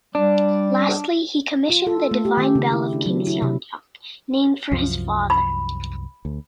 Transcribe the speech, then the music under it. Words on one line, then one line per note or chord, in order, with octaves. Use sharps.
Lastly, he commissioned the Divine Bell of King Seongdeok, named for his father.
G3 D4
F4
A4
A3
G4
D#3
C#3
E4
D4
F#3
E4
C3
C2 F#2 F3
B5
D2